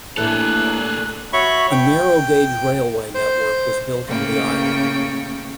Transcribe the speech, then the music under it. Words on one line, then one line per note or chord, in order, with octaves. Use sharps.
A narrow-gauge railway network was built on the island.
A2 E3 A3 A#3 D4 G#4 A4 F#6
F#4 C#5 E5 B5 C#6
G5
C5
A2 C#3 A#3 G5 C#6